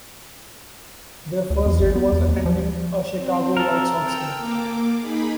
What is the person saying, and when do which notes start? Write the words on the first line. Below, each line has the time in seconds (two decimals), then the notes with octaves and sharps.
Their first date was attending a Chicago White Sox game.
1.50 D2
1.66 E2
1.80 G#1
1.96 B3
2.12 E2
2.28 D#2
2.46 F3
3.16 C4
3.57 A4 A#4
4.02 G5 E6
4.36 A#3 D6
5.01 D#4 G#4 B5